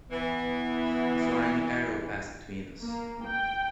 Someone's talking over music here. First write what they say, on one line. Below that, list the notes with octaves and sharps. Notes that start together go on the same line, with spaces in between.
A flying arrow passed between us.
E3 B3
A#3
G5